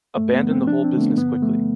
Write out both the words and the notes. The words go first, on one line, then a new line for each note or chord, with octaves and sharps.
Abandon the whole business quickly.
G2 A3
B3
F3
C4
F3 D4
C4
D3 A3
B3
G2 B3
F3 A3